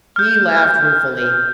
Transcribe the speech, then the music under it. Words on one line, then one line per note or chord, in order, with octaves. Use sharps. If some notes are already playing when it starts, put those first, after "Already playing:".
He laughed ruefully.
F6 G6